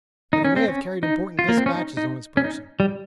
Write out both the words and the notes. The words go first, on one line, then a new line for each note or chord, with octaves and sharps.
But he may have carried important dispatches on his person.
D#4
C#4
C4
C#4
D#4
F4
A#3
C4
C#4
D#4
D#4
C#4
D#4
G3